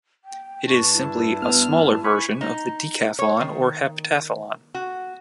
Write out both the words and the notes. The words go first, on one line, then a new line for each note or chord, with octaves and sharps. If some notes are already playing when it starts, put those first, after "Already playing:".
It is simply a smaller version of the decathlon or a heptathlon.
G5
G2 D4 A5 C#6
E4
B3 F6
G#5 B5 C#6
D#4
C#5
D#3
F#4